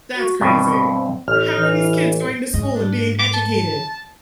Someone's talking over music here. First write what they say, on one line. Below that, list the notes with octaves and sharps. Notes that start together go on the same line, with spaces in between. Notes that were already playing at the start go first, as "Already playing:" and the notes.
that's crazy. How are these kids going to school and being educated?
F#4
G2 B2 C4
A1 F6
E3
G#2 D#5
D4
D6
A5